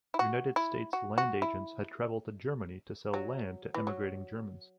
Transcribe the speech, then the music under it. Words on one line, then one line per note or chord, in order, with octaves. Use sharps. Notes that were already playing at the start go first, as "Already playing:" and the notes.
United States land agents had traveled to Germany to sell land to emigrating Germans.
E4
F#4
E4
F#4
F#4
E4
F#3
E3
F#3